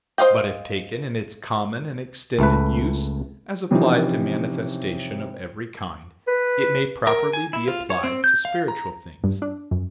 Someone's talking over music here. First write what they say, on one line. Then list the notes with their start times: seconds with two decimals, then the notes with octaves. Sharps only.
But if taken in its common and extended use, as applied to manifestation of every kind, it may properly be applied to spiritual things.
0.18 C5 D#5 F5 G5
2.39 C#2 A3 B4
3.71 C3 E3 F3 C#4 D#4
6.27 B4
7.07 A#4
7.33 G#5
7.53 E4
7.68 F4
7.90 C#5
8.04 C4
8.24 G6
8.45 F5
8.68 A#5
9.24 G2
9.42 D4
9.71 F#2